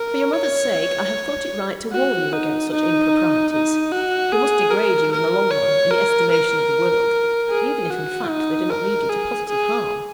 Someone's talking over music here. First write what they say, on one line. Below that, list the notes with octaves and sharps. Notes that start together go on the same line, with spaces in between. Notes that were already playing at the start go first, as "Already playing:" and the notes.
'For your mother's sake, I have thought it right to warn you against such improprieties; they must degrade you in the long run in the estimation of the world, even if in fact they do not lead you to positive harm.'
Already playing: A#4
C#5
F#4
D#4
D#4
D#4
F#4
G#4
A#4
A#4
C#5
A#4
A#4
G#4
F#4
D#4
A#4
G#4
G#4